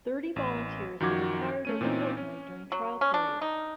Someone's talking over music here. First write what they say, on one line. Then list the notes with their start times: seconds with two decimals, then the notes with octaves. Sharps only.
Thirty volunteers were required every fortnight during trial periods.
0.36 A1
1.00 F#2 D#3 F3 F#4 D6 G#6
1.65 A3 C#4 D#7
1.81 A#2 E3 C4 C#4 D#4
2.17 C#4
2.72 F#3
3.01 C#4
3.14 D4
3.42 D#4